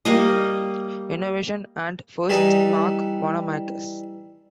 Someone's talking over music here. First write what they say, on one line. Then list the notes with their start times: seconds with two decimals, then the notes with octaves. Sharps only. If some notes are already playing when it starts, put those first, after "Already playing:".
Innovation and "firsts" marked Wanamaker's.
0.05 G3 A#3 D#5
2.29 E3 G3 D#4